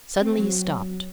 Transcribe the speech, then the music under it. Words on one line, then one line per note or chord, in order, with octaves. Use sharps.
Suddenly he stopped.
C4
F#3